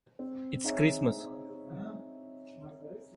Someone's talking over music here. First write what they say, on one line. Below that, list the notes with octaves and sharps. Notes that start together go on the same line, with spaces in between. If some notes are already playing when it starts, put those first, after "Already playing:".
It’s Christmas.
C4
D#4 G#4 C#5 E5
C4